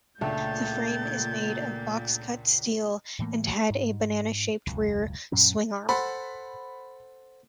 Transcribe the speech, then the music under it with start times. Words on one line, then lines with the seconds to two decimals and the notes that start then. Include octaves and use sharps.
The frame is made of box cut steel and had a banana-shaped rear swingarm.
0.21 C#2 A#2 A3 D4 G6 A6
3.19 A2 E3 A3 A#3
3.70 G#2
4.67 E1 C#2 F#2
5.32 F#2 A#2 F#3 C#4
5.89 A4 C5 F#5 B5